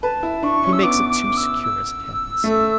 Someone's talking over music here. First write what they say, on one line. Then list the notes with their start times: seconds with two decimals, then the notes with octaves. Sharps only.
He makes it too secure, as it happens.
0.02 B4 A5
0.23 E4
0.43 D4 C#6
0.63 C#4
0.73 E6
0.83 B3 D6
1.09 D6
1.37 E6
1.63 E6
2.44 A3